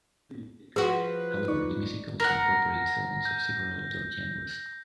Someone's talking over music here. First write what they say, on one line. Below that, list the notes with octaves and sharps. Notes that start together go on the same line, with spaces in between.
However, the music also incorporates elements of several other genres.
F3 F#4 G#4 B4
D#4 D5 C#6
A#4 F#5 A#6
G6